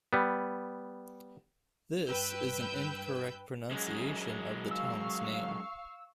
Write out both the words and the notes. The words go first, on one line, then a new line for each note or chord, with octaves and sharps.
This is an incorrect pronunciation of the town's name.
G3 B3
G2 B4 G5 E6 G6
F#2 G#3
F5 C#6 E6